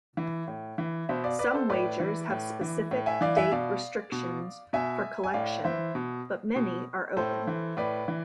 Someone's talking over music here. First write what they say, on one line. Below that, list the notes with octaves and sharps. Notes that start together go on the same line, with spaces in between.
Some wagers have specific date restrictions for collection, but many are open.
E3
A2
E3
B2 C5 E5
D5 F5
B4 D5
A4 C5
A2 B4 D5
E3
A2
E3
A2
E5 G#5
E3 D5 F5
E5 G#5
B2 D5 F5
B2
B2 E5 G#5
G#5
A2 D5 F5
E3 C5 E5
B2
B2
A2 A4 C5
E3
A2 B4 D5
E3